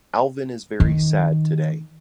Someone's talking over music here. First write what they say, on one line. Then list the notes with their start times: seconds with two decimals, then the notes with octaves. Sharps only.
Alvyn is very sad today.
0.80 D#3